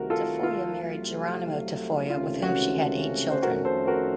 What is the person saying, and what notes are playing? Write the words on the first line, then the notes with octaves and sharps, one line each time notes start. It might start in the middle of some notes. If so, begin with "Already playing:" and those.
Tafoya married Geronimo Tafoya with whom she had eight children.
Already playing: C2 C3 D#3 A3 F#4 A#4
F4 A4
F4
C2 C3 F#3 A3
C#2 C3 D#3 A3 C#4 F4
F#4
C5
F2 D#3 A3 C#4 F#4 A#4
A4 C5
F#4 A#4